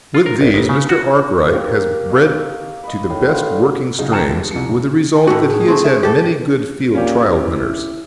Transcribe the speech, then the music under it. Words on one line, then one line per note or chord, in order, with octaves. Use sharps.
With these Mr. Arkwright has bred to the best working strains, with the result that he has had many good field trial winners.
F4
A#4
A#1
G1
C#3
F#4
A#3 G4 A#4
C#5 D#5 F5
B4 D#5
A2
D3 F4 F5
C#3 F#3 D#4
G5 A5 A#5 C#6 C#7 E7
D#2 G#3
G#3 G4
C2 F3 C#7
E1 C2
G#5
A2 A3 F#4
G#4
A3 C4
E5
G4 A4
A#2 C#4 G4
E4